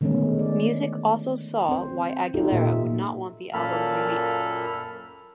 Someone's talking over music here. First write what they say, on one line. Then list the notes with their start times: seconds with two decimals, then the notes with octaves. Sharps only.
Music also saw why Aguilera would not want the album released.
0.01 D3 D#3 G#3 A3 B3 C#4
0.39 D5
1.69 C4 C5
2.34 D#4 F4 G4 A4
2.52 A#2 E5
3.54 F#2 A#2 A#3 A4 B5 F6